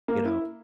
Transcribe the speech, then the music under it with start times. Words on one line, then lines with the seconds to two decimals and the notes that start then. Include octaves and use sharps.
You know,
0.08 A#3
0.25 E4